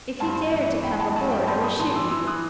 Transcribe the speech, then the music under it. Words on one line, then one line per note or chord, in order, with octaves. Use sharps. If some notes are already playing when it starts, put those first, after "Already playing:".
If you dare to come aboard I will shoot you.
G2 A5 C6
E3
E3 G5 B5
F#5 A5
G2 F#5 A5
G5 B5
A2 A5 C6
B5 D#6
E3 A5 C6
C6 E6
E3 C6 E6
D#6 F#6